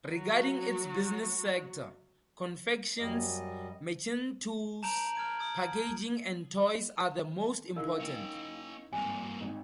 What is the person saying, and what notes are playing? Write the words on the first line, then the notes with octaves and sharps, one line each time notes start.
Regarding its business sector, confections, machine tools, packaging and toys are the most important.
F#3 F#4
F#2 G3 D#5
A5 A#5 G6 D7 F#7
F6 G#6 D7
D#6 G#6
D#4 E4 A#4 F5
C#4 G5
G#1 G2 A#3 G#5
G#1 D#4